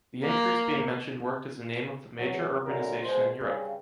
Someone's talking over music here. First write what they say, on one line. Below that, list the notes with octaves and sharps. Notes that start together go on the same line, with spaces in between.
The increase being mentioned worked as a name of the major urbanization in Europe.
A#3
E2 F#3
G#2 D3 F#3 E4 F#4 A#4
A#1 B2 G#3 C5
G2 C#3